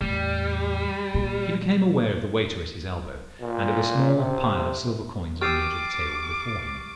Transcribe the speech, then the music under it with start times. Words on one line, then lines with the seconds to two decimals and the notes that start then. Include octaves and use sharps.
He became aware of the waiter at his elbow and of a small pile of silver coins on the edge of the table before him.
0.01 E2 A2 G3
1.14 A#2
3.41 A#2
4.16 C3
5.41 G4 C#6 D6 E6 F6 A6 C7 D#7